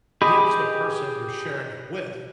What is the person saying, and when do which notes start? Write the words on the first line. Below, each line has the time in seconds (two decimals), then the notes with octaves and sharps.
gives the person you're sharing it with
0.22 G4 G#4 D#5 B5